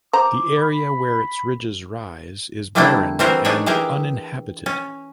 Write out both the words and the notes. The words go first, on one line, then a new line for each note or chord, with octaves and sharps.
The area where its ridges rise is barren and uninhabited.
C5 A#5 D6
B5
D3 G3 A3 A#3 D4 E4
E3 G3 C4 F#4 A#4 C5
D4 D#4 G#4 C#5
E3 G4 G#4 A#4
C#4